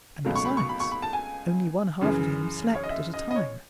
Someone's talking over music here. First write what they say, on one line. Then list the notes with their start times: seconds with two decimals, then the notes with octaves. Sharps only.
And besides, only one half of him slept at a time.
0.25 C#2 B2 F#3 A3
0.35 C#6
0.45 B5
0.57 C#6
0.69 B5
0.80 C#6
0.91 B5
1.02 A5
1.13 G#5
2.01 F#2 C#3 E3
2.75 C#5
2.84 D#5
2.90 E5
3.14 D#5
3.31 D#5
3.36 C#5